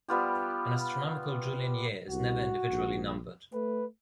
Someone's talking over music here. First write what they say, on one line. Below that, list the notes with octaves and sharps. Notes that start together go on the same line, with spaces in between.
An astronomical Julian year is never individually numbered.
G3 B3 F4 G4
C2 F#4
A#1
A3 B4